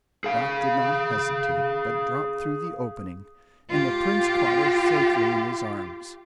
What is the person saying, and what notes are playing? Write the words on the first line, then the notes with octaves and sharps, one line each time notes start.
Dot did not hesitate, but dropped through the opening, and the Prince caught her safely in his arms.
G#4 F5
F4 G4